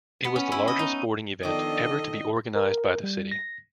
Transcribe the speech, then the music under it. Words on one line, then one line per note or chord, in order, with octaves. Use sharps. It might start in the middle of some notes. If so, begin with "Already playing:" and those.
It was the largest sporting event ever to be organised by the city.
B3
C#4
E4
D#5
D#4
D#3 F3 B3 D4 A4 D#5 D6
A#4
G3
A#6